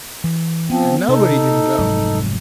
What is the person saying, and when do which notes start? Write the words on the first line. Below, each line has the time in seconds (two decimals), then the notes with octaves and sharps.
And nobody didn't go.
0.24 E3
0.70 F3 B3 C4
1.08 C3 D#4 A4
1.78 F1 G#2 F#3